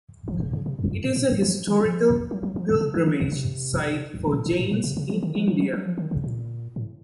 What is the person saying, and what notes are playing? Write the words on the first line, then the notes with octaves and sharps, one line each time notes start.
It is a historical pilgrimage site for Jains in India.
F3
C#3
C#3
C3
F2
F#2
A2
A#2
A2
F3
D#3
F3
F#3
F#3
F3
D#3
C#3
F3
D#3
C#3
C3
C3
A#2
A#2
A2
A#2
C3
C#3
F3
D#3
F3
F3
F#3
F#3
F3
D#3
C#3
A#2
A2